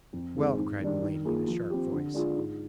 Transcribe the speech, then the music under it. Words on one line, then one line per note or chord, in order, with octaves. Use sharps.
"Well," cried Milady, in a sharp voice.
F2
D#3 G#3 C4
G#2
D#3 G3 D4
D#3
A#3 F4 G#4
F3
C4 G4
D3
G#3 D4 F4 G#4
G#2